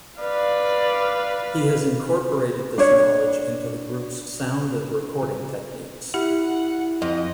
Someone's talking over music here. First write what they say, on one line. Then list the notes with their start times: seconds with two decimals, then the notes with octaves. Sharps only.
He has incorporated this knowledge into the group's sound and recording techniques.
0.20 B4 D5 F5
2.78 D4 C#5
6.14 E4 G4 F#5
7.02 F2 D#5